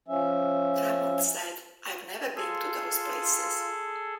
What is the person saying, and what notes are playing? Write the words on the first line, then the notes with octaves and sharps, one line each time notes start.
Drummond said I've never been to those places.
F3 C#4 E5
F4 G#4 A4